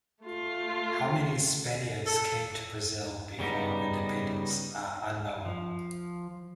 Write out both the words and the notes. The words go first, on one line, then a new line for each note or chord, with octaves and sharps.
How many Spaniards came to Brazil before independence are unknown.
A3 F4
A4
C#3 G3 B3 D#4
F3